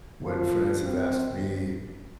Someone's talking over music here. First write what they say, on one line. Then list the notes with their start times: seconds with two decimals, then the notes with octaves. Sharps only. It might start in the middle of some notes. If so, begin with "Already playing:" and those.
when friends have asked me,
0.24 F3
0.84 C4